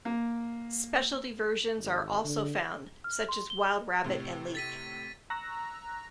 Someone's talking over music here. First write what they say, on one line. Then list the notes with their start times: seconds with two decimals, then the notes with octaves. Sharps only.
Specialty versions are also found, such as wild rabbit and leek.
0.05 A#3
1.78 G#1
2.25 D3
3.04 F6
3.29 C6
3.50 G7
4.04 A2 C3
4.55 A6 B6 D#7
5.30 A#5 C#6 E6 F#6 A#6